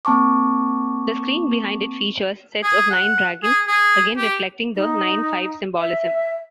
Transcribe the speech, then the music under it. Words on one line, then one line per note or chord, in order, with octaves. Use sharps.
The screen behind it features sets of nine dragons, again reflecting the "nine-five" symbolism.
A#3 C4 A5 C#6 D6
G#4
F#5
G#4
G#4
G4
D#4
E5